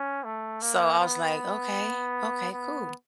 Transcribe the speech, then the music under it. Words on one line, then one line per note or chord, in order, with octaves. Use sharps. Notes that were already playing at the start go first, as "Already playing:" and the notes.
so I was like, "Okay. Okay. Cool."
Already playing: C#4
A3
A#3
B3
B3